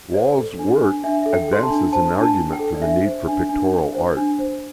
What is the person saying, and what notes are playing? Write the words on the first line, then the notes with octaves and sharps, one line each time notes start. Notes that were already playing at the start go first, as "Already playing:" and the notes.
Wall's work advances an argument for the need for pictorial art.
C5 D5
A4
D4
D4
D4 E5
A4 E5
G5
A4 C6
A5
D4
C5 A5
D4
A5
D4
G5
A4
D5
D4 E5
C5
D4
D4
D4
C5
D4
C5